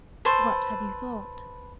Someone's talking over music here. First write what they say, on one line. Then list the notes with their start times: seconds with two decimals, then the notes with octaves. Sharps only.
"What have you thought?"
0.25 A4 B4 C5 C#6